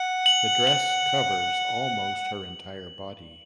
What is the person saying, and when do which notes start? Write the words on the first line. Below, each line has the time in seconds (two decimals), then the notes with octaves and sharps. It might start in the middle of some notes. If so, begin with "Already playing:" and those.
The dress covers almost her entire body.
Already playing: F#5
0.26 F#7
0.67 F#7